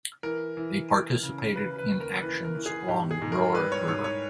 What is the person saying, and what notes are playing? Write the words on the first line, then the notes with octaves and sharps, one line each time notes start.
They participated in actions along the Roer River.
E3 A#4
E3
E3
C#3
C#3 B4
B4
D#2
A#4
E3 B4
A#4
E3
G#4
G#2 G4
G#4
G#2
A#4
G3 B4
C#5
G#2 C#5
C#5